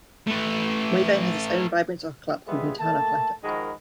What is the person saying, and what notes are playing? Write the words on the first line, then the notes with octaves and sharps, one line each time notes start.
Moyvane has its own vibrant soccer club called Newtown Athletic.
A3 B4
G3 G#3 B3 F4 G#4 E5
A3 A#3 A4 A5
D#3 F3 G#3 F#4 A#4 B5